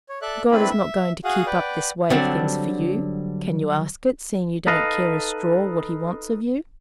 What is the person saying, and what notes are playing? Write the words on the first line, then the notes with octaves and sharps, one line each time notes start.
God is not going to keep up this way of things for you; can you ask it, seeing you don't care a straw what he wants of you?
C#5
A4 D5 E5 F#6
A3 C4 D4 E4 B4 B5
E5
F#4 G#4 F5 F#5 D#6
B4 D5 F#5 G5
D3 F#3 G3 C4 D4
D#4 A4 B4 D#5 F5